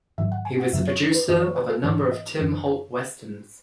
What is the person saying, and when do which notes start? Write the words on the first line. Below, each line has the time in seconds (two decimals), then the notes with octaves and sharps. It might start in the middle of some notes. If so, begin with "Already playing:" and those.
He was the producer of a number of Tim Holt westerns.
0.18 G#2 D#3 F#3 E5
0.32 F#5
0.45 G#5
0.60 F#5
0.73 F#2 C#3 F#3 E5
0.88 C#5
1.14 B4
1.29 F#2 E3 D#5
1.42 C#5
1.56 B4
1.70 A4
1.84 G#2 E3 C#5
2.12 D#5
2.39 F#2 E3